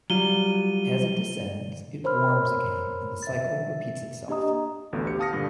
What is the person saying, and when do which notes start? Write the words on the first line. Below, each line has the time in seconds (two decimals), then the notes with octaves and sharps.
As it descends, it warms again and the cycle repeats itself.
0.10 F#3 G3 F4 D#7 G7
2.04 A#4 C5 C#5 B5 F6
3.23 E5 A6
4.28 A#3 D4 G4 D#5 A#5 D#6
4.93 A1 D2 B3 A4
5.07 G4 C#7
5.19 F5 A5 D#6 F6 A#6 C#7
5.33 G2 A#2 D3